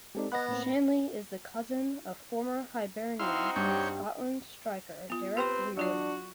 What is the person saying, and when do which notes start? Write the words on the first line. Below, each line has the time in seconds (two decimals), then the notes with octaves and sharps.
Shanley is the cousin of former Hibernian and Scotland striker Derek Riordan.
0.15 G#3 C4 D#4 G4 A4 D5
0.32 B3 D#5 F#5 B5 F#6 A#6
0.48 A2 A#3 C4
3.19 C4 D#4 E4 F#4 F5 C6
3.56 G2 G4 C#5
5.10 B3 F4
5.37 C4 G4 B4 G5 C6
5.77 F#3 D4 F4 F#4 D5